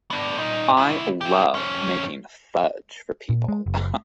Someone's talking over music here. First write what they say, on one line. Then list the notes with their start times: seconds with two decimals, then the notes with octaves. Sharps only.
I love making fudge for people.
0.11 B3 D4
0.37 A#2 D#4
0.77 D2 E4
1.21 E4 G4
1.55 F2 C#4
3.29 A#2
3.48 G#3
3.66 F#1